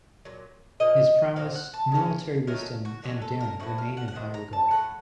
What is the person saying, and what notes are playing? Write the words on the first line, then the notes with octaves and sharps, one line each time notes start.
His prowess, military wisdom, and daring remain in high regard.
A#2 F#3
A#2 F3 A#3 D#5
A#2 F#3 C4 F5
F#5
A5
C#3 F#3 A#3 C#4
D#3 F#3 A3 C#4 A#4
F#4
A#2 F#3 A#3 C#4 F#4
A4
A#4
A2 A3 C4 F#4
F5
F#5
F#5
C3 D#3
A#5
A5
A2 F#3 A3 F#5